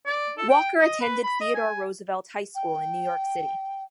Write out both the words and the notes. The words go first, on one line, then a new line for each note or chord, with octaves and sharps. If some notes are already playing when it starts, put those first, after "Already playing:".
Walker attended Theodore Roosevelt High School in New York City.
D5
A4
G5
D#5
B4
B5
D#5
G#5
G5